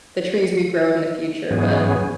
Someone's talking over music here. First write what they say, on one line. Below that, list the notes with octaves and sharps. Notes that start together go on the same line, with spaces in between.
the trees regrow in the future, but
G#2 E3 F#3 B3 C#4 G#4